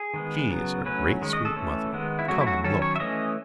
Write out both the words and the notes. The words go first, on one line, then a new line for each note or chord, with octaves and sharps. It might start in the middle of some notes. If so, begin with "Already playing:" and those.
She is our great sweet mother. Come and look.
Already playing: G#4
D#3 G#3 B3
C#3 F#3 B3
F#3 A3 C#4 B4
D#3 G#3 C#4
D#5
A4
E3 A3 C#4
D#3 G#3 B3
E4
F#3 A3 C#4 F#4
E4
F#4
D#3 F#3 C#4 A4
C#5
E5
E3 A3 C#4 D#5